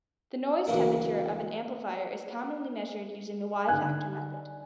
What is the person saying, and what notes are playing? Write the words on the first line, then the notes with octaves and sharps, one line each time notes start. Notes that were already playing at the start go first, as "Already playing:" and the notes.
The noise temperature of an amplifier is commonly measured using the Y-factor method.
D2 C#3 E3 F#3 A#3
D3 D#4 G#5 F#6